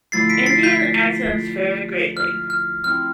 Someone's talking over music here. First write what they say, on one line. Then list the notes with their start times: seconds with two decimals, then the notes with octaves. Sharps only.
Indian accents vary greatly.
0.12 D3 F3 A3 E4 A6 C7
0.29 B6 D7
0.46 A6 C7
0.63 G6 B6
2.17 F6
2.50 F6
2.84 F3 C4 E4 F6